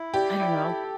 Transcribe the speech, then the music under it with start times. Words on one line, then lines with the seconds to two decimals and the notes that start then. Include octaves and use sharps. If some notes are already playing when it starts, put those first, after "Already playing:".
I don't know.
Already playing: E4
0.14 G4 D5
0.39 E4
0.63 A4